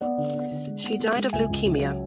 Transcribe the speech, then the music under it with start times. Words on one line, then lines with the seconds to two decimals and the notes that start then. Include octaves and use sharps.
She died of leukemia.
0.01 B3 D5 F#5
0.18 D3
0.34 B3
0.51 D3
0.67 G#3
0.84 B3
1.00 G#3
1.16 G#3
1.33 C#2 E5 G#5
1.50 C#2
1.66 C#2
1.82 F#3